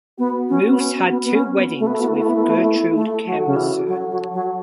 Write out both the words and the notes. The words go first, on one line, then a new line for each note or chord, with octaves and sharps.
Muuss had two weddings with Gertrude Kremser.
B3 F#4
C#4
B3
C#4
B3 F#4
B3
C#4
B3
A3
B3
A3
B3 E4
A3
B3
A3
B3
A3
B3
A3
B3
A3
A3 A4
F#3
C#3 F#4
E3
F#3 A4
F#3
F#3